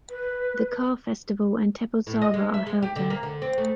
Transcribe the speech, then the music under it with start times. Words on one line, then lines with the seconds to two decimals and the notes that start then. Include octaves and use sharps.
The car festival and 'Teppotsava' are held there.
0.10 B4
2.07 A2
2.22 D#5
2.34 G#3
2.54 E5
2.67 G#3
2.82 G4
2.96 D3
3.10 A#3
3.23 D3
3.42 C4
3.58 A3